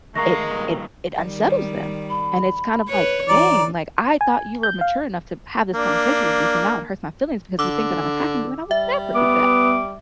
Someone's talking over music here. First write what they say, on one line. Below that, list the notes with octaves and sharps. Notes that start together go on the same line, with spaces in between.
it it it unsettles them and it's kind of like, "Dang, like, I thought you were mature enough to have this conversation with me, so now it hurts my feelings because you think that I'm attacking you and I would never do that."
D#3 G#3 A3 A#4 F5 A#5 C#6 A#6
G2 A#2 D#3
D#3 G3
B5
B4 C#5
E3 D5 A#5
G#5
G6
F5
A#3 D4
D3 D6 E6
G3 E5
B3 D6